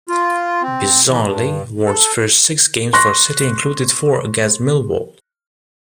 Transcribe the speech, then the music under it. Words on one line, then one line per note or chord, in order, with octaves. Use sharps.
Bizarrely, Ward's first six games for City included four against Millwall.
F4
C4
E3
G2
A4
C6 C#6 F#6 A#6